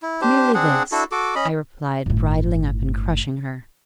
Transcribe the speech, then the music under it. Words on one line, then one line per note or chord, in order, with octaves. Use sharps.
'Merely this,' I replied, bridling up and crushing her.
E4
D4 G4 C5
C4 D4 G#4 F#5
D4 E4 F#4 A4
F#4 A4 D6
C#4 D#5 B5
G1 A2